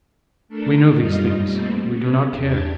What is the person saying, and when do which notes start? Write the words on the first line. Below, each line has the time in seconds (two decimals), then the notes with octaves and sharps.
We know these things, but we do not care.
0.48 A3 D4 A4 A#4
0.95 F#2 G3 D#4 F4 D#5 F6
1.44 B2 G3 A3 A#3 C4
1.88 B3 C#4
2.34 E2 C#3 D4 G4 A5 G#6